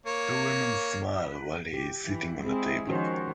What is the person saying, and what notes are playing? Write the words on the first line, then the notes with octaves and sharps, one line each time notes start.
Two women smile while he is sitting on a table.
A#3 C#5
G4
E3
G#3 C4 E4 G#4
D#3 F3 C#4 F#4 C5